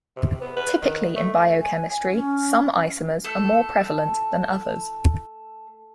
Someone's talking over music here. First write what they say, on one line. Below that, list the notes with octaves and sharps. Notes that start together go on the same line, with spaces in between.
Typically in biochemistry, some isomers are more prevalent than others.
C3
B3
B4
D#3
A3
G#5
C#4
A3 A4